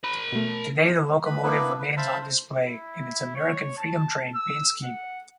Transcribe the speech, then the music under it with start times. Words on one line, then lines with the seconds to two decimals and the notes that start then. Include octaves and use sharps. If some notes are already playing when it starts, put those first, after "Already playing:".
Today the locomotive remains on display in its American Freedom Train paint scheme.
0.04 A#4 B5
0.32 B2 A3
1.26 B4 B5
1.43 A#3 B3 D4 E4 B4
1.80 B4
1.97 C5 E5 F5 A5 B5
2.22 C5
2.65 E4
3.35 C#5
3.77 A5
4.35 E6
4.84 F#5